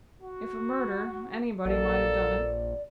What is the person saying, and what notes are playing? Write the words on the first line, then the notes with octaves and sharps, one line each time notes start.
If a murder, anybody might have done it.
F#4
A#1 A#3 A4 D5